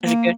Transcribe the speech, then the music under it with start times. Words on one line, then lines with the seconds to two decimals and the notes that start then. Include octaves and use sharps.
Is it good?
0.03 A#3